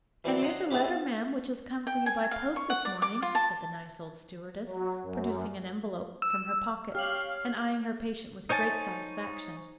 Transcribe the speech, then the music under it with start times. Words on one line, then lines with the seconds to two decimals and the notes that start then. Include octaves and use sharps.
"And 'ere's a letter, ma'am, which has come for you by post this morning," said the nice old stewardess, producing an envelope from her pocket, and eying her patient with great satisfaction.
0.24 E3 F#3 C4 A4 D5
0.42 C5 C#5 D#5 F#5 A#5
0.71 G#3 A3 C4 C#4 E4 G4
1.87 G5
2.06 G#5
2.31 F5
2.56 C#6
2.70 F#5
2.85 D5
3.02 D6
3.22 F4
3.35 A5
4.66 F#3
5.02 F#2
6.22 E6
6.95 G4 C#5 F5 F6 F#7
8.49 D#4 C5 C#5 G#5 A5